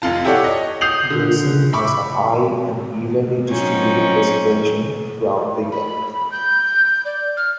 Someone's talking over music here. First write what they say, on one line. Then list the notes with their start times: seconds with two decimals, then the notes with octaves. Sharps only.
Giresun has a high and evenly distributed precipitation throughout the year.
0.02 F1 F2 F4 A5
0.25 E4 G4 A4 C#5 D5 F#5
0.44 C#5 D#5
0.81 D#6 G6 C7 F7 F#7
1.10 D3
1.73 E5 B5 C#6 D6
3.48 F#3 A#3 C4 C#4 D#4
5.72 B5
6.32 G6
7.05 D5
7.37 F6